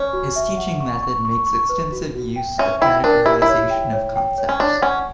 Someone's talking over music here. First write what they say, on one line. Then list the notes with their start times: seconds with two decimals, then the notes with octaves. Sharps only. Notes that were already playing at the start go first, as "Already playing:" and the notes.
His teaching method makes extensive use of categorization of concepts.
Already playing: C#4 C#5
0.13 F#4
0.36 E5
0.57 F#5
0.80 C#6
1.03 C#6
1.25 C#6
1.47 C#6
1.69 B4
1.92 F#4
2.15 F#4
2.36 G5
2.58 C#4 E5
2.81 E4 G5
3.04 D4 A#4
3.25 E4 G4
3.42 E4
3.48 C#5
3.70 G5
3.93 C#5
4.16 G5
4.38 C#5
4.49 C#4
4.59 D4 C#5
4.82 C#4 F#5